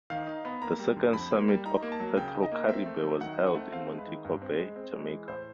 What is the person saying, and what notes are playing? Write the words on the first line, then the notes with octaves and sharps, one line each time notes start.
The second summit of Petrocaribe was held in Montego Bay, Jamaica.
D#3 F5
D#4
B3
A#3 A#5
G3
D3
F2 B5
A#3
G3
D#4 A#5
A#3
A5
F#3
C#3 G5
D#4
D#5
A#3
C4 E5
A3
F#3
D#3 F#5
C4
F#5
A3
C4 F5
G#3
B4
D#3
G2
C4
G#3
C4
G#3
E3
A2 C5